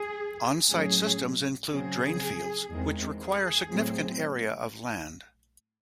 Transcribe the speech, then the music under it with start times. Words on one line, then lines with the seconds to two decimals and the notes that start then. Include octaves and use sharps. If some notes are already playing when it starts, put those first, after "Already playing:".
On-site systems include drain fields, which require significant area of land.
Already playing: G#4
0.71 A2 F#3 C#4 G#4
1.72 C#3 F#3 C4 G#4
2.71 E2 D#3 G#3 C4
3.22 G#4
3.71 A2 F#3 C4